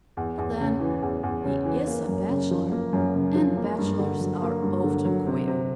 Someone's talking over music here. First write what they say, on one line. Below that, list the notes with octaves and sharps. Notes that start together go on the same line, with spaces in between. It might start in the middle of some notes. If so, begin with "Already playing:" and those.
"But then, he is a bachelor, and bachelors are often queer."
E2
E2
C#3
E3
E2
E2
C#3
E3
A#3
F#2
C#3
F3
A#3
F#2
C#3
F3
A#3
G2
D3
F#3
A#3
G2
D3
F#3
C3
C3